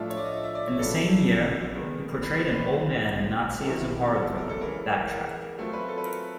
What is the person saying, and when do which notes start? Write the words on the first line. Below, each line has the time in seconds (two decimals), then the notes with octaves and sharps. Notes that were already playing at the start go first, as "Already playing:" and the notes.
In the same year, he portrayed an old man in Nazism horror thriller "Backtrack".
Already playing: A2 F3 A3 D4 F4 E5
0.10 C#5
0.17 D5
0.24 D#5
0.31 E5
0.43 E5
0.55 D5
0.67 C#5
0.79 C#3 F#3 B3 D4 F4 A4
1.75 D#3 G#3 B3 A#4
2.22 B4
2.38 C5
2.54 B4
2.70 D3 F#3 B3 C5
3.60 A4
3.66 C3 D#3 F#3 B3 E4 A#4
4.13 A4
4.26 A4
4.38 A#4
4.49 A4
4.61 C#3 E3 G#3 A#4
5.09 A#4
5.57 F#3 A3 C4 F4
5.73 B4
5.89 A4
5.98 B4
6.05 A#4